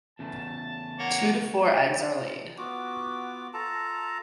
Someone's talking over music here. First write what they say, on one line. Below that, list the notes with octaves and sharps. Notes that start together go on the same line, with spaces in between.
Two to four eggs are laid.
E2 C#3 A3 A5
A#3 C#5 F#5
B3 F4 F#4 D6
F4 A4 A5 A#5